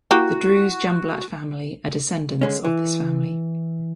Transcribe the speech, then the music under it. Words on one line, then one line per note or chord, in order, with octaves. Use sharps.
The Druze Jumblatt family are descendants of this family.
A#3 E4 F#4 G4
D3 G#3 C#4
E3